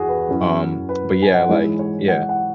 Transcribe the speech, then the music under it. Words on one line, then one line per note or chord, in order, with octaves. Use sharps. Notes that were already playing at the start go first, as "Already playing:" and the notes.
Um, but, yeah, like Yeah.
Already playing: E2 F#4 G#4
B4
F#2 F#3 C#4 E4
B4
G#5
F#5
G#2 E3 G#3 E4 C#5
C#5
F#5
F#5